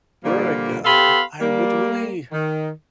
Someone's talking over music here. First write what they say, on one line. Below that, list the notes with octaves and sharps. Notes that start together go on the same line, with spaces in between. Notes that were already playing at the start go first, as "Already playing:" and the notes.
where would I go? I would really
A#2 D3 F3 G3 A#3
B3 G4 A4 F5 B5 C6
G3 A#3
D#3